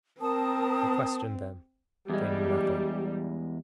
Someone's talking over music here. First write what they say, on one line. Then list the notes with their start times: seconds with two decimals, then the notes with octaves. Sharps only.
I questioned them. They knew nothing.
0.20 C4 A#4 A5 D#6
2.09 E2 G3 G#3